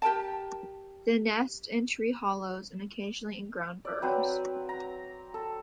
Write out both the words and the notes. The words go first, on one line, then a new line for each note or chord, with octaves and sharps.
They nest in tree hollows and occasionally in ground burrows.
G4 A#4 G5 A5
D5
F#3 C4 B4
A#5
A4